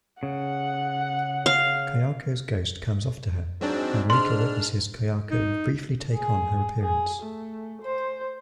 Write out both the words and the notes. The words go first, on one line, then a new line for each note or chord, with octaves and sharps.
Kayako's ghost comes after her, and Rika witnesses Kayako briefly take on her appearance.
C#3 F#5
F5
G#2 F#3 C4 D4
D4 C6 F6
D#4
G#4
G#4
A3
C5